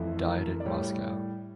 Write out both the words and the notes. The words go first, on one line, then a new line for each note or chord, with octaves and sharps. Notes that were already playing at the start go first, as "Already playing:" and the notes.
Died in Moscow.
Already playing: F2 E3 A3 E4
A#4
D5
A2 G3 C#5